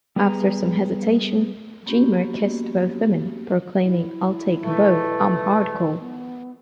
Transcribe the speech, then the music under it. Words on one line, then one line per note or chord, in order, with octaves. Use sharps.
After some hesitation, Dreamer kissed both women, proclaiming I'll take em both, I'm hardcore!
G3 B3 G#4 B4 G5 A#5
A#3 B3 C#4 F#4 G4
E4
B2 E3 A3
B3